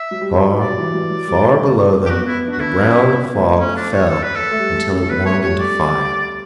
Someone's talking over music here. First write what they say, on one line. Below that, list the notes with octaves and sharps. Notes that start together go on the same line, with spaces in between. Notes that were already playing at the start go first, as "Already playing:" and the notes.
And far, far below them the brown fog fell until it warmed into fire.
Already playing: E5
F#3
G3
F#3
F#3 D5
E3
F#3
F#3
G3
A3
G4
B3 F#4
B3
E4
D4
F#4
D4 E4
C#4
B3
A3
C#4
D4
C#5
A4
B4
A4
A3
G3
A3
C#4
A4
B3 B4
A3 C#5
G3 C#5
D5